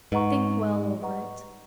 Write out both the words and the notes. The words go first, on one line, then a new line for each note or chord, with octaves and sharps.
Think well over it.
G#2 B4 D#5 F#5 A#5 C#6
B4 D#5 F#5 A#5 C#6